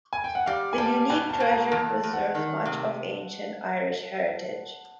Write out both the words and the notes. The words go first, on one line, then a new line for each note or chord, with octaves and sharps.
The unique treasure preserves much of ancient Irish heritage.
G#5
G5
F#5
G3 F5
G#5
G3 A5
B2 G#5
A5
B2
A#5
E2 A5
E2
F#5
D#3
C3